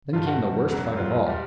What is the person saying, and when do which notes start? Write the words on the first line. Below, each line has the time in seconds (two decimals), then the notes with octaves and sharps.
Then came the worst fight of all.
0.13 G1 G2 D#3 G3 F4
0.27 F#4
0.69 E1 E2 C#3 F#3
0.97 F4
1.26 A#2 G3